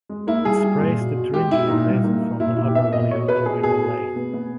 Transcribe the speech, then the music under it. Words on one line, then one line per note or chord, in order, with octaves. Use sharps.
It separates the Thuringian Basin from the upper valley of the river Leine.
G#3
A#3 E4
G3 G#4
G3
A#2
B2
B2
G#3 G4
B2 E4
A#2 D#4
G3
A#3
A#3
A#2 E4
A#2 E4
G4
B3 E5
A#2 D#5
B2 C#5
B2 B4
B3 G#4
B2 G#4
B2
B2
B3
B3